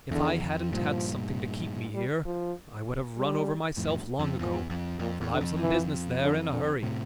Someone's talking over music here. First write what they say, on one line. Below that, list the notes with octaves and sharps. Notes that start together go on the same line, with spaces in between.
If I hadn't had something to keep me here, I would have run over myself long ago, for I've some business there in a hurry.
E2 D3
F2
G2 A#2 F3
G3
F3
G3
F2 A2
F2
E2 F3
F2
F2 A#2
E2
D3
F2
E3
D3
D3
A2 C3